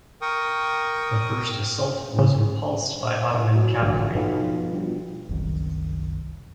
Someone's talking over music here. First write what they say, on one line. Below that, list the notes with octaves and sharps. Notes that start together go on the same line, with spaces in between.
The first assault was repulsed by Ottoman cavalry.
A#4 G5 C#6 D#6
C#3
F#3
A1 D3 F3
B1 B2 F3
G1
F#1 C2 D#3